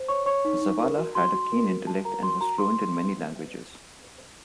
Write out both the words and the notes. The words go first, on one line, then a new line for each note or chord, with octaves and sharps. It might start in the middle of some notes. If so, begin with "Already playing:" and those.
Zavala had a keen intellect and was fluent in many languages.
Already playing: C5
C#5 C#6
C#5 C#6
D#4
D#4
A#4
F#4
F#4 C6
F#4
A#4
F#4
F#4 A5
A#4 A#5
F#4 C6
F#4 A#5
C6